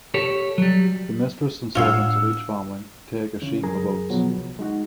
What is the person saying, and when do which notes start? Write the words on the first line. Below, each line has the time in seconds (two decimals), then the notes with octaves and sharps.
The mistress and servants of each family take a sheaf of oats.
0.14 G4 A4 C#5
0.58 F#3 G3
1.75 A2 D4 F4 C#5 F5 F#5 E6 F6
3.42 C#3 E3 C#4
3.63 F#2 F#3 G#4 A#4 A#5
4.10 B2 F3 F#3 B3
4.35 C2
4.59 G#3 D#4 F#4